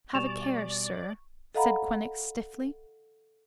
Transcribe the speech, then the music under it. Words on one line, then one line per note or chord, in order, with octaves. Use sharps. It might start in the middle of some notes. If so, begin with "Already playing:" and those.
"Have a care, sir," said Quinnox stiffly.
B2 G3 D5 G#5 C#6 E7 F7
A4 D#5 F5 F#5 A#5 B5